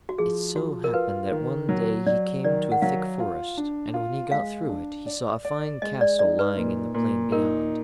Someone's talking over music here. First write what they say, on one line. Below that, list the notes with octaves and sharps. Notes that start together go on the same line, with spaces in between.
It so happened that one day he came to a thick forest, and when he got through it, he saw a fine castle lying in the plain beyond.
F#4
F3 G#4
F3 F#4
A#4
F4 B4
D#3
F#3
F#3 D5
D#3 D5
F#5
F#3 F5
F4
D4
F4
G#3 F5
D4
D5
D5
G#3 D#5
D5
D#4 D5
B4
A#2
A#2
D#4 A#4